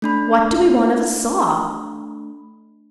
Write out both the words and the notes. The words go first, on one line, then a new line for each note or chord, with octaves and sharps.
"What do we want of a saw?"
A3 D4 B5